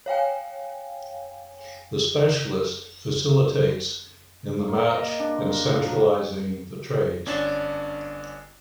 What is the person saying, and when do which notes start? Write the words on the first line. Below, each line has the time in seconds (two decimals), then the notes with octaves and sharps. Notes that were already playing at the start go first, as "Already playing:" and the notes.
The specialist facilitates in the match and centralizing the trades.
0.06 C#5 F5 G5 G#5
4.68 A#3
4.95 D#5
5.20 D4
5.35 C6
5.50 A#4
5.67 F3
5.82 F#3
7.26 G1 C#4 D4 A6 E7